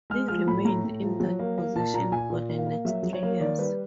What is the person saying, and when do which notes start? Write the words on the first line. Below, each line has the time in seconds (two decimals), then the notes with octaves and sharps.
He remained in that position for the next three years.
0.10 G#3 F6
0.28 F3 F6
0.47 A2 B5
0.65 A2 A#5
0.84 A2
1.02 F3
1.20 F#3
1.39 A#3
1.58 A#3
1.76 A#2 A5
1.94 A#2 A#5
2.12 A#2 G#5
2.30 A#2
2.49 A#3
2.58 F5
2.66 A#3
2.85 F#3 E5
3.03 F#3
3.13 C#5
3.23 A#3
3.40 D#3 D5
3.58 G3 B4